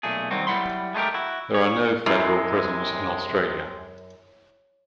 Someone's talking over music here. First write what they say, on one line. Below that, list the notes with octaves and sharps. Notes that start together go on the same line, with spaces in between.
There are no federal prisons in Australia.
B1 A#2 A3 G#4
D#3 F#3 G3 C4 F#4
F#3 G3 E4 F#5 B5 C6
G#3 A3 C#4 G4 A#4
E4 F#4
C#5
F#2 C3 G#3 E4